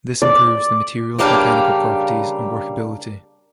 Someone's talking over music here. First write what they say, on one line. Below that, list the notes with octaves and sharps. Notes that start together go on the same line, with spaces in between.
This improves the material's mechanical properties and workability.
D5
C#3 G3 A#3 D4 F5 G5